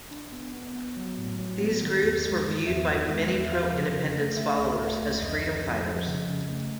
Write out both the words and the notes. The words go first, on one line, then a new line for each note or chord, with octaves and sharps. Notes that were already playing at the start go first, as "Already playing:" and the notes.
These groups were viewed by many pro-independence followers as freedom fighters.
D4
B3
B3
B3
F#3
A2
F#3
B3
D#3
E2
G#3
D#3
E2 E5
E2
G#3
E2
E5
F3 F5
C#3
C#3
A3
A3 E5
C#2
A3
C#2
F2 D#5
F2
F2
F3
C#3
C#3
A3